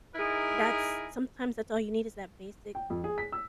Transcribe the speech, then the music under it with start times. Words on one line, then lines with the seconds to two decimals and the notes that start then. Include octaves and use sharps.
that's sometimes that's all you need is that basic
0.15 D#4 E4 G#4 A#4
2.75 G5
2.90 F2
3.04 G#4
3.18 B6
3.32 E6